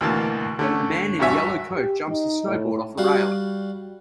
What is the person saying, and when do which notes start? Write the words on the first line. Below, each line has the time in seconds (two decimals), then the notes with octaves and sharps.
A man in a yellow coat jumps his snowboard off a rail.
0.01 D2 B2 E3 A#3 A5
0.59 D3 A3 C#4
1.19 A1 G2 F#4 C#5 E5 G#5
1.75 G4
2.09 D#4
2.46 A2
2.98 G3 F#4 F5